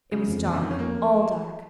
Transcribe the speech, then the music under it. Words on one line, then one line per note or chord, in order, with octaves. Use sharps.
It was dark--all dark.
C#3 G#3
F2
F2 A#2
C#3
F2 D#3
C#4
F3 A#3